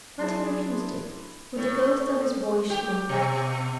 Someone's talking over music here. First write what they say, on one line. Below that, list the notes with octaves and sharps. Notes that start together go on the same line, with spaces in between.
But he refused it, with the ghost of his boyish smile.
F#3 D4 E4 G#4 A5 C6
A2
G4
B2